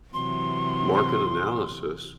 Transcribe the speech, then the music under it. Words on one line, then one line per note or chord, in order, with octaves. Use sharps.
market analysis
C3 E3 F#3 C6